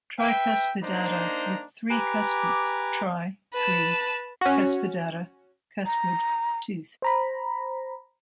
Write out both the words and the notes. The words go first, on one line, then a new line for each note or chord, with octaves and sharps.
'Tricuspidata' 'with three cuspids' 'tri' - 'three', 'cuspidata' - 'cuspid', 'tooth'.
B4 E5 G5
A#3 D4 D#4 C5 A#5
G4 B4 G#5 A#5 D6
B4 A5
C#4 F#4
A#5
C5 A#5 B5